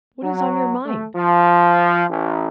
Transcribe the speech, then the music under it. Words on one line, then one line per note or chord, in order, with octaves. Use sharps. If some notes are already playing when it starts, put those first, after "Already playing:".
What is on your mind?
F#3
A3
F3
A1